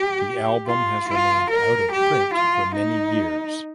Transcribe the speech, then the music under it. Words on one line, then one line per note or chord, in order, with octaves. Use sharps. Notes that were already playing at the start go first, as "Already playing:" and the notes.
The album has remained out of print for many years.
Already playing: G4
F4
F4
A#4
G4
F4
D#4